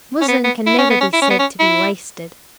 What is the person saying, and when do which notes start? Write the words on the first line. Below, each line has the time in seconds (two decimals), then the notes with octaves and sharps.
Muslin can never be said to be wasted.
0.21 C#4
0.28 B3
0.44 B3
0.66 E4
0.78 C#4
0.90 B3
1.01 C#4
1.13 E4
1.22 C#4
1.30 B3
1.39 C#4
1.60 E4